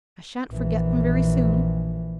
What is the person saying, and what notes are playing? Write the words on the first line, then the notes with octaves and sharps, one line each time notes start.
I shan't forget them very soon.
A#1 E3